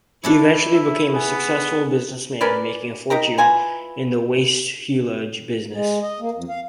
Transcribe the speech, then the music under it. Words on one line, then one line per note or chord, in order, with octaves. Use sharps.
He eventually became a successful businessman, making a fortune in the waste-haulage business.
D4 E4 A4 C#5
E5
B3 G#4 G#5
C#4 A#4 B4 D5
D#4 G4 A#4 A#5
E3 F4 G#5 A#5
G#3
D#5
A#3
F2
F5